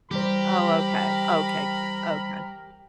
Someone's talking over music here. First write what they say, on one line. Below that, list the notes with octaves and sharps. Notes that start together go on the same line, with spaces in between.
Oh, okay. Okay, good. Okay.
E3 G3 G4 A#4 C5 A#5 B5